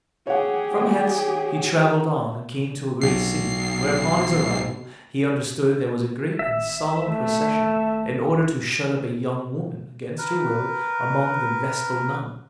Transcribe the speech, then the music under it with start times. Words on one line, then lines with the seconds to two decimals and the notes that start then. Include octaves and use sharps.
From hence he travelled on, and came to a great city, where, upon his arrival, he understood there was a great and solemn procession, in order to shut up a young woman, against her will, among the vestal nuns.
0.27 G4 G#4 C#5 F#5
3.02 B1 C7
6.39 G#1 E5
7.06 A3
10.18 A#4 B4